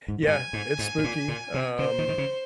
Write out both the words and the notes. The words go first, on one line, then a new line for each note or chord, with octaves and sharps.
Yeah, it's spooky, um,
G#2
G#2
G2 G#5
G#2
G#2
G#2
A#2
A#2
C3
C#3 C5
D#3
D#3
C#3